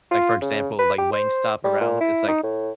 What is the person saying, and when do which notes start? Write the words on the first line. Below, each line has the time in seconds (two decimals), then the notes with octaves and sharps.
like for example, like Wingstop, around w it's like
0.11 F4
0.41 C#3
0.79 B4
0.98 G4
1.12 C5
1.64 G3
1.80 A#2
2.00 E4
2.28 D#4
2.44 A2